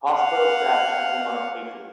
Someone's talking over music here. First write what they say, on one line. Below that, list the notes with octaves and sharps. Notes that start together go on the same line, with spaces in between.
Hospital staff checking on a patient.
F5 F#5